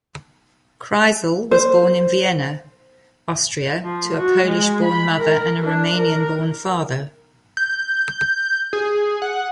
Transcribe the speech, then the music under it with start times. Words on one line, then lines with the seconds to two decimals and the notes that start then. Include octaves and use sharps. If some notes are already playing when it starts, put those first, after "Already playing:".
Kreisel was born in Vienna, Austria to a Polish-born mother and a Romanian-born father.
1.51 C5
3.83 F3
4.15 F#4
4.46 G#3
4.83 B5
5.18 A#4
5.63 D4
5.96 A#4
7.57 G6
8.73 G#4
9.22 F#5